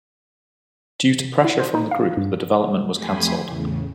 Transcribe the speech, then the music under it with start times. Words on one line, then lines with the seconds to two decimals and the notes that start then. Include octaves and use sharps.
Due to pressure from the group, the development was cancelled.
1.20 C3
1.44 E4
1.59 C5
1.75 D#4
1.91 F5
2.17 G2
2.93 F2 A3 G4 G#5 B5 C6
3.44 E2 A2 C#3